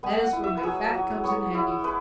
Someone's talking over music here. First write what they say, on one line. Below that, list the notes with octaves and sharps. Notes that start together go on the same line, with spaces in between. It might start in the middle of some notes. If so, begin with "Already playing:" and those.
That is where my fat comes in handy.
B3 G#5
F#5
E4
E5
B4
F#3 G#4
F#3
B3 C#5
E4
G#3 B4